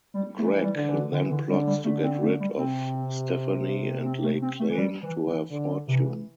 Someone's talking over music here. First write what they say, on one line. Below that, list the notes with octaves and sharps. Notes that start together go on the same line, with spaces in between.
Greg then plots to get rid of Stephanie and lay claim to her fortune.
G3
E3 A3
G3
D3
E3
D3 E3
D3
D3 G3
G3
D3 A3
C4
A3
G3
C3 C4
C4
A3
C4
A3
E3
G3
E3
E3
D3
C3 E3